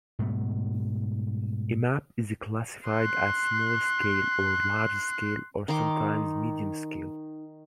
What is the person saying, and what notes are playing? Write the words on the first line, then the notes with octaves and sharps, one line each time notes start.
A map is classified as small scale or large scale or sometimes medium scale.
G#2 B2 G3 A3
C6 F#6
D#3 D#4 C6 D6